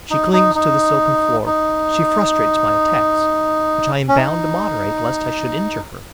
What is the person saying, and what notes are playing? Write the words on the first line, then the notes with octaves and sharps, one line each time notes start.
She clings to the silken floor, she frustrates my attacks, which I am bound to moderate lest I should injure her.
D#4
D#4
D#4
D#4
C#4
D#4